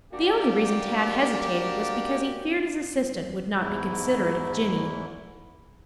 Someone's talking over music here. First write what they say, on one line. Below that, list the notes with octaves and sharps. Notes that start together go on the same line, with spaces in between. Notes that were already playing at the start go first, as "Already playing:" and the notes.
The only reason Tad hesitated was because he feared his assistant would not be considerate of Jinny.
A#3 D4 F#4 G4
E2 G#2 E4